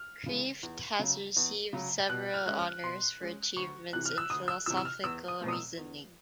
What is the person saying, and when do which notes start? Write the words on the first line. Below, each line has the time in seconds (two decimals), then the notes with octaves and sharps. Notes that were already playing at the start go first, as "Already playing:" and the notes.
Kreeft has received several honors for achievements in philosophical reasoning.
Already playing: F6
0.26 C#3 E3 G#3
0.63 E2
0.99 C#3 F#3
1.36 E2
1.73 C#3 F#3
2.09 B2 F#6
2.34 F6
2.46 G#3 C#4 F#6
2.59 F6
2.83 B2 C6
3.20 G#3 C#4
3.56 D2 C#6
3.93 C3 E3 F#6
4.06 F6
4.18 E6
4.30 D2 D#6
4.48 E6
4.66 C3 E3 E6
4.77 E6
4.85 F6
5.04 E2 E6
5.28 D#6
5.41 B2 F#3 A3 C4
5.48 D#6
5.53 E6
5.78 E2